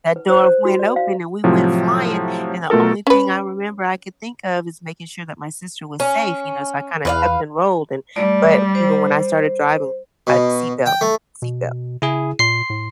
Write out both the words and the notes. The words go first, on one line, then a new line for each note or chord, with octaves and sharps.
that door went open and we went flying. And the only thing I remember I could think of is making sure that my sister was safe, you know, so I kinda tucked and rolled and but even when I started driving, I had seat belt seat belt,
B4
C5
C5
F#4
D5
F5
A2 C3 F3 F#3
B2 A3 F4 A4 A#4
C#4 B4
C#4
E2 B4 D5 F5
G3 A3 D5
C5
B2
G5
A3
B2
C#3 E4 G#4
A#2 C6 C7
A2